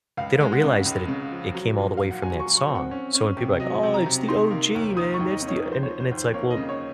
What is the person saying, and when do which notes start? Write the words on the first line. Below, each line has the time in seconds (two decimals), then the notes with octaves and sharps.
they don't realize that it it came all the way from that song. So when people are like, "Oh, it's the OG, man. That's the" and and it's like, "Well,
0.17 C#2 F5
0.41 G#3
0.52 F#5
0.63 C#3
0.86 C#2
1.08 C#3
1.31 F3
1.55 F#3
1.78 A#2
1.97 F#3 F5
2.11 F#5
2.22 F#3 G#5
2.40 C#6
2.46 F#3
2.57 C#6
2.68 C4
2.75 F#5
2.91 C#4
3.15 C#4
3.37 C3
3.60 F#3 D#5
3.83 C3
3.94 A#5
4.06 C3
4.28 D#4 C6
4.51 A#3
4.75 D#2
4.97 D#4 D#6
5.14 C#6
5.20 D#2
5.31 D#5
5.42 D#3
5.48 C#5
5.66 F3
5.72 C5
5.83 C#5
5.88 F3
6.00 C5
6.11 D#2
6.17 C5
6.34 A#3 C#5
6.51 D#5
6.57 C#3
6.69 C#5